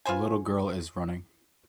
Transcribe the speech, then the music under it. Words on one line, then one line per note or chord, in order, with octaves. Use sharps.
A little girl is running.
F4 B4 C5 G#5